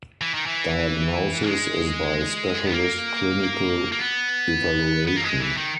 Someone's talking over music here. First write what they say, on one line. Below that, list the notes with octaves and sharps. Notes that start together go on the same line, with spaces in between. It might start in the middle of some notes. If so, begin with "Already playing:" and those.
Diagnosis is by specialist clinical evaluation.
E3
D#3
E3
A#3
G#3
B3
A#3
A#3
B3
B3
A#3
G#3
E3
D#3